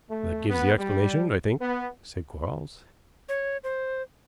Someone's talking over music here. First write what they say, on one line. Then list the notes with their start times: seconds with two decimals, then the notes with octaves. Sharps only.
"That gives the explanation, I think," said Quarles.
0.10 A3
0.50 B3
0.79 G3
1.61 B3
3.29 C#5
3.64 C5